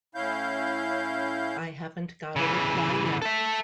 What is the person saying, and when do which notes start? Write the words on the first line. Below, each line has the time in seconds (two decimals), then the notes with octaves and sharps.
I haven't got a reply yet.
0.15 A2 C#4 E4 F5 G6
2.36 C#3 E3
3.22 A4 E5